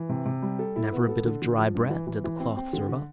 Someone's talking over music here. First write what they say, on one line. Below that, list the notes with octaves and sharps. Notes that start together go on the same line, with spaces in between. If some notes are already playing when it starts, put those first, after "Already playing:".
But never a bit of dry bread did the cloth serve up.
Already playing: E3
C3
C3
G3
A4
E4
B3
A4
D3
D3
F3
G2
E3
E3
E3
C4
C4
D3
D3